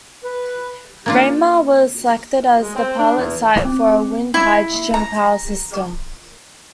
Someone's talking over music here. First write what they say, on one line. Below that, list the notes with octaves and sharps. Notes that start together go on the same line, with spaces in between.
Ramea was selected as the pilot site for a Wind-Hydrogen power system.
B4
A#3 D4 F4
G#3
C4
D4
E2
C4
E4
A#5